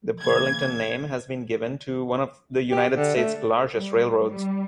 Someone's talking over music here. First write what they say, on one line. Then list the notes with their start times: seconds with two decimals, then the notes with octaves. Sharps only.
The "Burlington" name has been given to one of the United States' largest railroads.
0.22 C#3 E3 A#3 G#6
2.71 G4
2.95 D3
3.16 A3
3.76 G3
4.30 G3